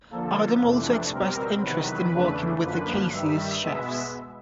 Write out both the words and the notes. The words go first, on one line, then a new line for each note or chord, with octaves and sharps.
Adam also expressed interest in working with The Kaiser Chiefs.
D3 F3 A#3 A4
F2 C3 E3 A3 D4
B2 G3 C4 A#4
E2 C3 D#3 F#3 B4
E2 C#3 E3 A3 D4
F#2 D3 F3 A#3 B4
G2 D#3 G3 E5
B2 G#3 B3 E5